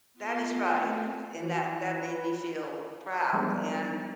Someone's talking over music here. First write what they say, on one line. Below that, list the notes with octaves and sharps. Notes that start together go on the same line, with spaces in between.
that is right and that that made me feel proud and,
B3 F4 C6
A3 C4
E3
B4
F3 G3 G#3 B3 D4 A#4